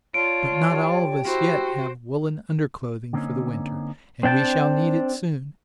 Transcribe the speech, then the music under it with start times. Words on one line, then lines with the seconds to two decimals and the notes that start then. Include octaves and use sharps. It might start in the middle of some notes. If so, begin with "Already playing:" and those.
But not all of us yet have woollen underclothing for the winter, and we shall need it soon.
0.14 F4 C#5 D5 A5 D7
0.70 G4
1.25 E4 F#4 C5
3.13 D3 G3 A#3 C4 C#4 D#4
4.23 C4 D4 G5 A5